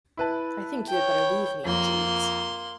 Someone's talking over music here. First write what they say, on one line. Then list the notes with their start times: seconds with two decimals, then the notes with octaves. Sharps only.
I think you had better leave me, Jeeves.
0.17 E4 B4 A5
0.89 C#5 G5
1.65 F2 A#3 C6